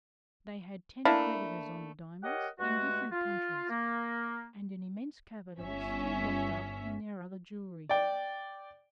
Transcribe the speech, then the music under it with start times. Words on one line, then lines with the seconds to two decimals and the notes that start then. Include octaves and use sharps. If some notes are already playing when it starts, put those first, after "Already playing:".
They had ten creditors on the diamonds in different countries, and an immense capital still locked up in their other jewelry.
1.05 A3 A#3 D4 E4
2.24 G4 A#4 C#5 D#5 F#5
2.59 G2 G#3 A3 F#4
3.12 F4
3.69 A#3
5.59 G1 C#4 E5
7.89 D5 G5